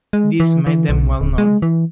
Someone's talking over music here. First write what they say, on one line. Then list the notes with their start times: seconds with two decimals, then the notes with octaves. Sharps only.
This made them well known.
0.13 G#3
0.40 E3
0.67 E3
0.89 B1
1.21 D1
1.38 G#3
1.62 E3